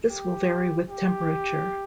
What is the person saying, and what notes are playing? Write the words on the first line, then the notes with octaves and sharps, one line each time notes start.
This will vary with temperature.
G4
G4